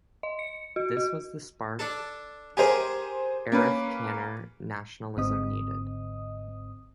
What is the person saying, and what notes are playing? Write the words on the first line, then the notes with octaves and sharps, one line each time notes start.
This was the spark Afrikaner nationalism needed.
D#5
C#7
F#4
F#4
D4 A4
G4 G#4 A#4 C5 G#5
A#3 C#4 B4
G#1 G#2 D3 C4 D#5 D#6